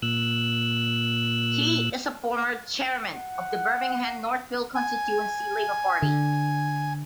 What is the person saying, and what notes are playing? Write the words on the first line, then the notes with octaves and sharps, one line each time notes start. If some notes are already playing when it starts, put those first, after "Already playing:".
He is a former chairman of the Birmingham Northfield Constituency Labour Party.
A#2 E6 F#6
F#5
G#5
D3